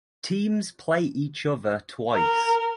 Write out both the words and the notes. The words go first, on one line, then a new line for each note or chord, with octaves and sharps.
Teams play each other twice.
A#4